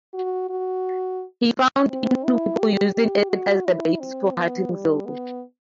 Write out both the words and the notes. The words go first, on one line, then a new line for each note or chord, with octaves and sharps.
He found Innu people using it as a base for hunting seal.
F#4
F#4
C4
E4
G4
G4
F#4
E4
C4
B3
G3
B3